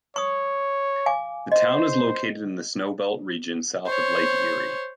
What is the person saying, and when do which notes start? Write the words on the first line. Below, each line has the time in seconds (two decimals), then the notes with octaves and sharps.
The town is located in the snowbelt region south of Lake Erie.
0.16 C#5 C#6 D#6
1.06 F5 G#5 D6
1.52 C5 D#5
3.86 C5 C#5